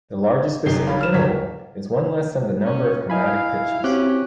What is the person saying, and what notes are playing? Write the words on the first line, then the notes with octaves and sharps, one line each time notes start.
The largest specific interval is one less than the number of "chromatic" pitches.
F1 F#2 D#4 C7 G7
F#1 G3 C#5 F5 B5
F6 E7
C#2 F#3 G3 A#4 C#5 B6
C#4
E4 D#5 F5 G#5 B5
C4 C#4 F#4 G4 D6 F#6